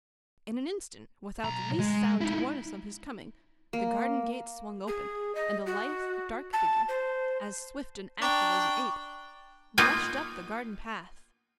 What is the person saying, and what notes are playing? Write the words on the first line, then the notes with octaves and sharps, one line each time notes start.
In an instant, without the least sound to warn us of his coming, the garden gate swung open, and a lithe, dark figure, as swift and active as an ape, rushed up the garden path.
B1 A#5
G#3
D#4 E4
A#3
G#4
D#5
F#4
A5
C5
D4 G5 A#5 C#6 D6
A#3 B3 D#4 F4 F#4 G#5